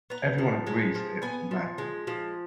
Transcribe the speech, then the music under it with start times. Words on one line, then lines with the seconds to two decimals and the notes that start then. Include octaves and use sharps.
Everyone agrees that it was madness.
0.10 B3 A#5
0.38 F3
0.67 G#3
0.95 F3
1.22 B3 G#5
1.51 F3
1.78 G#3
2.07 F3